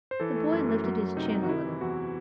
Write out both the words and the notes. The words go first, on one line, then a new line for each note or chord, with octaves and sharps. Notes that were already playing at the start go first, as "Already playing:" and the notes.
The boy lifted his chin a little.
C5
E3 A4
A3
F#2
F#2
F#3
A3
C3 D#4
C3
F#4
C3 E4
E3
E2 F#4